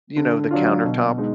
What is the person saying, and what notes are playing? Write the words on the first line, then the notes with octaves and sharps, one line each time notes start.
you know, the countertop
D3
F#3 D4 F4
B2
G#3 D#4